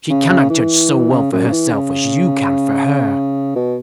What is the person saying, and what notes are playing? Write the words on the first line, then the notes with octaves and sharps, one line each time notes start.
She cannot judge so well for herself as you can for her.
C#3
C#3
E3
C#3
F#2
C#3
E3
C#3
B2